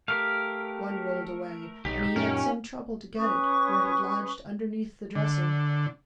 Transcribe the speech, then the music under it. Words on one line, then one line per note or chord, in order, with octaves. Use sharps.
One rolled away, and he had some trouble to get it, for it had lodged underneath the dresser.
A3 G4 A#4 F5
B1 D#4 G4
F#2 A#2 C#4 A#4
C#4 B4 C#6 D#6
D3